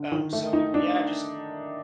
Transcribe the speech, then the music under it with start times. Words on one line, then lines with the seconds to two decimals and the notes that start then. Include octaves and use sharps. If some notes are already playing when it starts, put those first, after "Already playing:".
Um, so, yeah, just
Already playing: D3
0.12 D#3
0.33 A3
0.53 D#4
0.74 D4